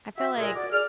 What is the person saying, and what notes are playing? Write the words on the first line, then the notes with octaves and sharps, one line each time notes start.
I feel, like, eh
F#4 E5
C#2 A#2 G#3 A#4
F#4 D5
G#4 D5 F6